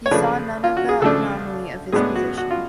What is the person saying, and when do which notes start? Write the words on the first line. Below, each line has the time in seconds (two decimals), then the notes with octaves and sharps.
He saw none of the anomaly of his position.
0.06 C#5
0.11 C#3 F3 A3 D4 B4
0.64 F4
0.77 F#4
0.89 G#4
1.02 C#3 F3 A3 D4 A4
1.92 A2 G#3 B3 D4 G#4
2.15 F#4
2.38 F#4
2.51 F4